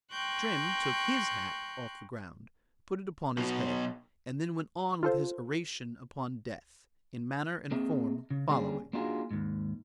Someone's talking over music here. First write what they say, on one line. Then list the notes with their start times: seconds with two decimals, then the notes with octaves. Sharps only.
Trim took his hat off the ground,--put it upon his head,--and then went on with his oration upon death, in manner and form following.
0.12 G5 A#5 C6 C#6 F#6 G6
3.38 B2 F#3
5.03 F4 A4 C5
7.71 A#3 C4 G#4 D#5 E5
8.30 C#3
8.49 D3 G3 A#3 C#4 G#4
8.93 A#3 D4 D#4 F4 F#4 G#4
9.31 D#2 G#2